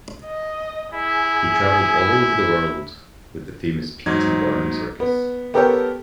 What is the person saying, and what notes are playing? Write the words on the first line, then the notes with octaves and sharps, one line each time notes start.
He traveled all over the world with the famous P. T. Barnum circus.
D#5
E4 G#4
G#2 F#3 D#4 G#6
B3
B3 G4 A4 A#4 C#5 G5